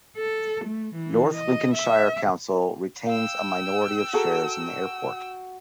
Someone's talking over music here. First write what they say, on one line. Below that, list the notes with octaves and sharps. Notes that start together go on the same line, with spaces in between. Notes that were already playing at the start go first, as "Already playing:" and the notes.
North Lincolnshire Council retains a minority of shares in the Airport.
A4
A3
E3
D#5
E5
F5 G5 E6
F#4 G#4 A4 A#5